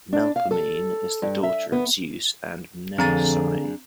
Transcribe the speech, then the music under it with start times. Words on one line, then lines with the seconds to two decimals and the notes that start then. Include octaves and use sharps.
Melpomene is the daughter of Zeus and Mnemosyne.
0.13 D4
0.36 F5
0.51 A4
1.22 G2
1.43 E5
1.72 B3
2.98 F2 D3 C4 D4 G#4 A#5 A6